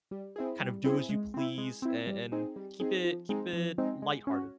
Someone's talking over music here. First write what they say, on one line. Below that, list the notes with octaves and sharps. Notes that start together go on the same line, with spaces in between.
kind of do as you please and and keep it keep it lighthearted.
G3
C4 E4 G#4
G3
C4 E4 G#4
G#3
C4 E4
G#3
C4 E4
G3
C4 D#4 G#4
G3
C4 D#4 G#4
F3
G#3 C4 D#4
F3
G#3 C4 D#4
G#3
C#4 F#4